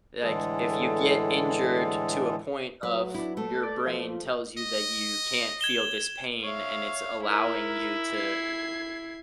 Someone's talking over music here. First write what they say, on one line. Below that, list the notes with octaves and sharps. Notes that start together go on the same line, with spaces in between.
Like, if you get injured to a point of your brain tells you that you can't feel this pain, and it's allowing you to
A2 D3 E3 G#3 G#4 A4
F#3 B4
D4 E4
A3
D5
F3
D#5
G#6 E7 G7
C#5 E5 F5
E4 A#4
G#6 C7